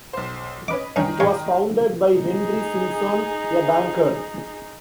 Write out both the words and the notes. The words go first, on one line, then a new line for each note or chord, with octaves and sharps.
It was founded by Henry Simpson, a banker.
B1 C5
C#4 B4 D#5 D6
G2 D#3 C#4 D#4
G#3 F4 C#5
D#4 G#4